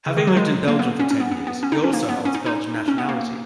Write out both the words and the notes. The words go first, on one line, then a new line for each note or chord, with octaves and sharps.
Having lived in Belgium for ten years, he also holds Belgian nationality.
C#3
D#3
F#3
G#3
A#3
B3
C#4
C#4
B3
B3
B3
C#4
D#4
C#4
A#3
B3
C#4
D#4
D#4
C#4
B3
A#3